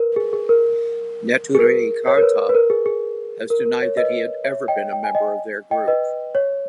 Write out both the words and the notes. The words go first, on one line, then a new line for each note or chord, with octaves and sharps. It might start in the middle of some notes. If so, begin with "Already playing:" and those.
Neturei Karta has denied that he had ever been a member of their group.
Already playing: A#4 B4
G#4
G#4
A#4
G#4
A#4
C#5
A#4
B4
B4
A#4
G#4
G#4
A#4
A#4
C#5
B4 D#5
C#5 E5
D#5 G5
G5
G#5
D#5 G5
D#5 G5
B4 D#5
C#5